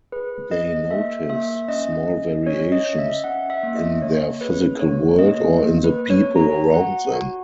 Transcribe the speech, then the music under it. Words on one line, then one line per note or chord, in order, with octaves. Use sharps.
They notice small variations in their physical world or in the people around them.
G#4 B4
G#4 D#5
A#3 E5
A#3 E5
C#4 D#5
C#4
C#4 C#5
D#5
C#4
E5
C#4 F#5
E5
A#3
D#5
A#3 C#5
G#4 B4
A#3 C#5
A#3 D#5
A#3
B4
A#3
C#5
F#4 A#5
F#4 F#5
F#4